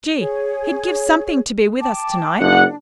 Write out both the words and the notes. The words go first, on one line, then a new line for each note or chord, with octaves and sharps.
Gee, he'd give something to be with us to-night!
G#4 C#5
G5 A5 D6
F#1 D4 F#5